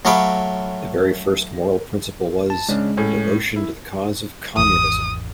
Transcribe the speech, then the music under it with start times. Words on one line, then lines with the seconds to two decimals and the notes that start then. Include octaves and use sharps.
The very first moral principle was "Devotion to the cause of communism".
0.05 F#3 A3 C#5 F5 B5 D6
2.50 A5
2.69 C#3 G#3 C#4 D4
2.97 A2 C#4 G#4
3.56 E4
4.57 G#1 E2 D#6